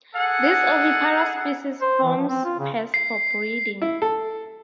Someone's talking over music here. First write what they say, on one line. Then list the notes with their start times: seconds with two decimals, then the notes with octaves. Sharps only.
This oviparous species forms pairs for breeding.
0.15 G#4 A4 F#5
1.81 C5
2.03 E3
2.17 F3
2.29 C4
2.45 F4
2.59 C#3
2.94 C7
3.82 E4
4.02 A4